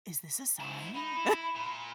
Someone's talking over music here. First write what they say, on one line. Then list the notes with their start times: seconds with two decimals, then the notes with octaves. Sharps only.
"Is this a sign?"
0.60 G#2 E4
0.95 D#4 B5
1.16 E4
1.55 A#2